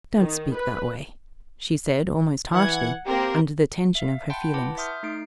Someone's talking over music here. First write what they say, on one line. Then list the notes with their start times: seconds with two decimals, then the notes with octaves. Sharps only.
"Don't speak that way," she said, almost harshly, under the tension of her feelings.
0.18 D#3
0.57 B4
2.53 E3 F#5 G#6
3.06 A#3 C4 G4 A#4
3.95 E5 F5
4.30 F#5 G5 A5 B5 C6 G6
4.54 E4 B4 F#5 A5 D6
4.78 E5 C6 D#6 F6 G6
5.03 A3 D#4 C7 D7